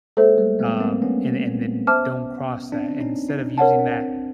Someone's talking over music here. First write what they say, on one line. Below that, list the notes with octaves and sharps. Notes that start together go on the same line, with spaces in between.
um, and and then don't cross that. Instead of using that
G#3 A#3 A4 C5 E5
G3 A3
A3 B3
A#3 C4
B3 C#4
C5 E5 A5 D6 F6
C4 D4
C#4 D#4
C#4 D#4
C4 D4 A#4 C#5 F#5 A5
C4 D4
C4 D4